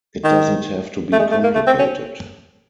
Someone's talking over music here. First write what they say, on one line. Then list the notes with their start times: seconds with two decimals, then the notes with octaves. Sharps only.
It doesn't have to be complicated.
0.24 D#3
1.13 A3
1.20 G#3
1.32 A3
1.43 A#3
1.55 A3
1.67 C4
1.79 C#4